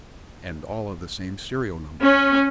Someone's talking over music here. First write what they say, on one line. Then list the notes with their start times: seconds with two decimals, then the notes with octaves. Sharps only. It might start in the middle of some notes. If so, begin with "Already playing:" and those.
"And all of the same serial number."
2.02 C#4